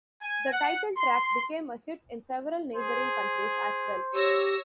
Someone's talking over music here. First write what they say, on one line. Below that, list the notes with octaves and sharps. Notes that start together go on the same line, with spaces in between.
The title track became a hit in several neighboring countries as well.
G#5
F#5
C6
G#4 C5
G4 C#5 E6 A#6